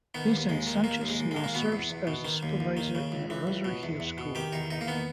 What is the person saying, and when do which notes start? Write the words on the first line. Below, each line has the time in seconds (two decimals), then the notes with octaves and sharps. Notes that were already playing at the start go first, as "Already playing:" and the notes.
Vincent Sanchez now serves as the Supervisor in Rosaryhill School.
0.14 D#3 B3
0.32 D#2
0.49 D#2 G#3
0.67 D#3
0.84 D#3 A#3
1.02 D#2
1.08 G#3
1.20 D#2
1.31 G#3
1.36 D#3
1.44 A#3
1.54 B2 B3
1.72 E2
1.90 E2
2.07 B2
2.25 D#3
2.43 D#2
2.60 D#2
2.77 D#3
2.95 C#3
3.12 C#2
3.30 E3
3.47 C#2
3.65 B2
3.83 E2
4.00 E2
4.18 B2
4.35 D#3 G4
4.53 E2 D#4
4.71 E2 D#4
4.81 A#3
4.88 D#3 B3